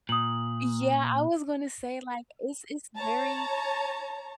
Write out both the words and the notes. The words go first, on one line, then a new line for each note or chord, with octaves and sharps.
Yeah I was gonna say, like is it's very
A#2 D#6 F#7
C#5 A5 A#5